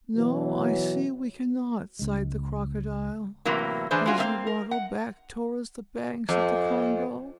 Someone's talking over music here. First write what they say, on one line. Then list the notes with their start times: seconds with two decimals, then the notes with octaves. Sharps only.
"No, I see we cannot," sighed the Crocodile, as he waddled back towards the banks of the Congo.
0.16 B2 E3 F#3
1.99 C#2 G#3
3.45 F#2 A2 C3 E3 F#3 A#3
3.91 A2 E3 D4 G#4 B4 C5
4.06 G#3 C#4 D4 F4 F#4 G#4
4.18 A#3 C4 E5 F5
4.47 A#4
4.71 F#5
6.29 F2